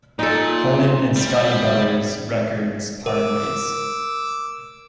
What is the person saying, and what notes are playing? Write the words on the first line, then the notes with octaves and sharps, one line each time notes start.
Holden and Scotti Brothers Records parted ways.
A#2 D#4 A4
G3
A#4 D6 E6